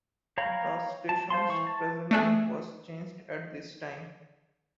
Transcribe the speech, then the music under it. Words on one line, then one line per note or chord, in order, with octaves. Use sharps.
The station's present name was changed at this time.
C#5 F5 G5 A#5 B5
A5
C5 F5 A5 C6
E3 C#6
A5
A3 D4 G#4